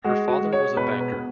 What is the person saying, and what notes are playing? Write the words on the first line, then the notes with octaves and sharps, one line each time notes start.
Her father was a banker.
G#3 F#4
F#4
G#3
C#5
B2 B4
B4
B2